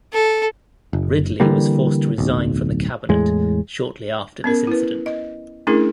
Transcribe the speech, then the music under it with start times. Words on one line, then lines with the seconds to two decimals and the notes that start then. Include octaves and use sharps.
Ridley was forced to resign from the cabinet shortly after this incident.
0.13 A4
0.93 F#1
1.40 D3 E3 G3 A#3
2.18 D1 B1
3.09 E2 A2 G#3
4.44 B3 C#4 A#4
4.67 E4 B4
5.06 D#5
5.67 A3 C#4 D4 E4 G#4 A#4